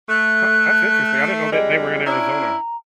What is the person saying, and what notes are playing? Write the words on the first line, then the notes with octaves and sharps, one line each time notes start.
Huh, that's interesting. I didn't know that they were in Arizona.
A3 F#6
F2 G3 G#3 D#5
C#4 D4 E4 A#5